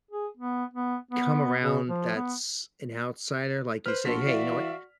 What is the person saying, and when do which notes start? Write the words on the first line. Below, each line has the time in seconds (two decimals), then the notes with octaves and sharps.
come around that's an outsider? Like, you say, "Hey, you know what?
0.11 G#4
0.37 B3
0.74 B3
1.11 B3
1.62 C#3
1.89 F3
2.16 B3
3.86 B4 C5 F6
4.05 A#1 F#4 A5 C6 E6 B6
4.27 E3 D5 E5 F5